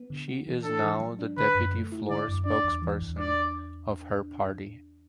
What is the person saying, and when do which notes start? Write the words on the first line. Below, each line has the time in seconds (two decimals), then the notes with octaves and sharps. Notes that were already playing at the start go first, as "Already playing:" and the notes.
She is now the deputy floor spokesperson of her party.
Already playing: B3
0.10 D3
0.28 F#4
0.47 E3
0.64 D4 A4
0.83 E3
1.00 F#3
1.19 D4
1.37 D3 B4
1.55 F#2
1.74 A3
1.92 E4
2.09 D3 D5
2.29 F#2
2.46 D4 D5
2.64 E2
2.82 E3
3.01 E2
3.19 D4 D5